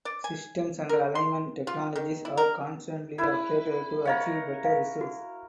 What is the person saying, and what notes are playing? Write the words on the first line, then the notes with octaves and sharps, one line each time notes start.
Systems and alignment technologies are constantly updated to achieve better results.
D5
G#5
A#4
C6
F4
D#3
E4
A#4
E4 B4 E5
A#4 C#5 D#5 F5 F#5
F5
F#4